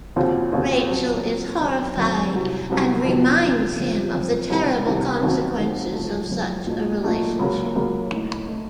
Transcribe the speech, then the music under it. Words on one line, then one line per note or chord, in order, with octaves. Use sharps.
Rachel is horrified and reminds him of the terrible consequences of such a relationship.
D#2 C#3 F3 C4 F#4
D#2 C#3 F3 C4 F#4
A#2 F#3 C4
A#2 F#3 C4
F#1 F#2 D#3 F#3 C4
F#1 F#2 D#3 F#3 C4
C2 C3 F#3
C2 C3 F#3
F2 C3 D#3 F#3 C4
F2 C3 D#3 F#3 C4
F#1 F2 C#3 F3 C4
F#1 F2 C#3 F3 C4
C2 C3 D#3
C2 C3 D#3
D#2 D#3 F#3 C4 F#4
D#2 D#3 F#3 C4 F#4
F#1 F#2 F3 A3
F#1 F#2 F3 A3
A#2 F#3 A3 D#4
A#2 F#3 A3 D#4
C#2 C#3 F#3 A#3
C#2 C#3 F#3 A#3
A2 A3 D#4
A2 A3 D#4